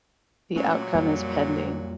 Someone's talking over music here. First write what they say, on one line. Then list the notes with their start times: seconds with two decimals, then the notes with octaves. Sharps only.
The outcome is pending.
0.56 A#2 F#3 A3 C#4
0.95 F2 G3 A#3